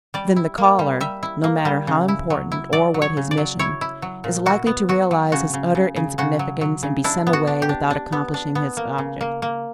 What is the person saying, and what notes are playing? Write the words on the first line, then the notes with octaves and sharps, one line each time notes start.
Then the caller, no matter how important or what his mission, is likely to realize his utter insignificance and be sent away without accomplishing his object.
G3 D5
E4
A#3
G3
G3 E5
E4
A#3
G3
C#3
E4
F#3
E4
F#3 D5
F#3
C#5
C#3
D5
F#3
E4 C#5
E4
F#3
A#2
E4 F#4
B3
F#3 F#4
F#3
C#3 F#4
C#3
C#3
C#3
C#3 F#4
F#3
F#3
C#3
D4 E4
B3
F#4
D4
G4
D4
D4
B3
D4
B3
A#3
C#3
A#3
A#3